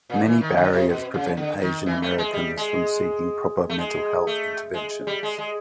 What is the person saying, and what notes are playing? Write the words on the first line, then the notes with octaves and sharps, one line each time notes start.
Many barriers prevent Asian Americans from seeking proper mental health interventions.
A#2
E3
D#3
D3
C3
B2
C#3
D3
D#3
E3
A3
G#3
G3
G#3
A3
G#3
A3
G#3
G3
G#3
G#3